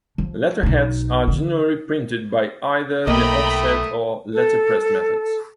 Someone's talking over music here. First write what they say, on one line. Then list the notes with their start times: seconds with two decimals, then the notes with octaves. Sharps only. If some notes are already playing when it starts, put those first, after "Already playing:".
Letterheads are generally printed by either the offset or letterpress methods.
0.18 F3
0.63 B1 D#4
1.27 D3
3.07 B1 A3 A#3 D#5 G5 A#5 B5 D#6
4.33 A4